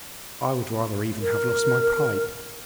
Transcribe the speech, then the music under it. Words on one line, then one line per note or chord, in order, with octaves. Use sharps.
I would rather even have lost my pipe!
A#4